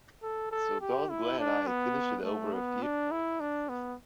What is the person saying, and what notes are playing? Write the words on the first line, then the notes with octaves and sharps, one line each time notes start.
So Don, Glenn and I finished it over a few all night sessions.
A4
A4
G4
E4
D4
B3
A3
B3
D4
E4
D4
B3